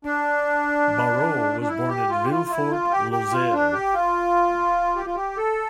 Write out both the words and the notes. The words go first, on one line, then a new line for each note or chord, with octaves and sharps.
Barrot was born at Villefort, Lozère.
D4
D4
E4
G4
F4
G4
F4
E4
F4
G4
G4
F4
D4
G4
F4
G4
F4
G4
A4